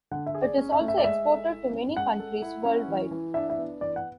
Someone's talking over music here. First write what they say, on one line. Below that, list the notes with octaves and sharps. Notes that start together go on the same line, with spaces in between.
It is also exported to many countries worldwide.
D3 F#5
E5
G#4
D5
C#4
E5
A3
E5
D5
G#3 E5
A4
E4
C#4
G#3 F#5
A4
E4
C#4
E3
E3
D4 E5
E5
B3
E3 D5
F#5